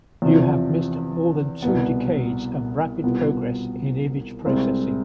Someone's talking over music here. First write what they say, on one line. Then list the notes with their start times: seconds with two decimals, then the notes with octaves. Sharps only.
You have missed more than two decades of rapid progress in image processing.
0.22 E2 C3 F3
1.62 C2 B2 B3
3.03 C2 B2 B3 F4
4.45 C2 C3 G#3 C4